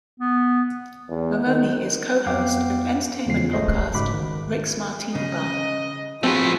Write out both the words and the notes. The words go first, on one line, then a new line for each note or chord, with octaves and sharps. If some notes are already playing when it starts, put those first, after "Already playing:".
Maroney is co-host of entertainment podcast Rick's Martini Bar.
B3
E2
D#3
F2 B3 F5 G5 D6
E2 C#3 F3 C7
G#1 G#3 A3 C5 D#5
G#2 C#3 F#4 B5 D6
D#3
C#3 D#5
F3 A3 C4 F#4 G#4 B4